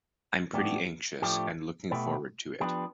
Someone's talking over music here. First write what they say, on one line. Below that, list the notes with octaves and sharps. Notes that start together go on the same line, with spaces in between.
I'm pretty anxious and looking forward to it.
A2 E3 B3 D4 G4
A2 F3 A3 D4 G4
B2 A3 E4 G4 B4
F3 B3 D4 G4 B4